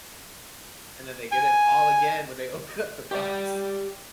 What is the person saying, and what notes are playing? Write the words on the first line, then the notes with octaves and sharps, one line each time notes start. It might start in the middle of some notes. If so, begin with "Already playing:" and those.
and then they get it all again when they open up the box.
G#5
G4 D5